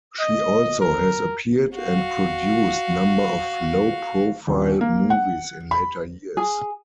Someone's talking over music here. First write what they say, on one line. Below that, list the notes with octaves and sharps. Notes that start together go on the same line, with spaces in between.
She also has appeared and produced number of low-profile movies in later years.
D#5
A#4
F#4 F5
D#1
A#3
F#5
B5
G#4